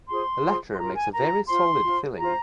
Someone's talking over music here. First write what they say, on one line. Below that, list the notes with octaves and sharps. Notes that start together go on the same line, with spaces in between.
The latter makes a very solid filling.
F4 G#4 C5 C6
F4 G#4 C5
C6
F4 A#4 A#5
G#5
F4 A#4 A#5
F4 C5 C6
F4 C5
F4 C5 A#5